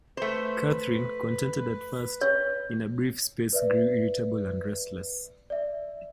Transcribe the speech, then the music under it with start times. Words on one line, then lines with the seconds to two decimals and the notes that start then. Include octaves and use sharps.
Catherine, contented at first, in a brief space grew irritable and restless.
0.17 A3 B4 C5
2.21 C#5
3.53 B4 D5 E5
5.50 D5 E5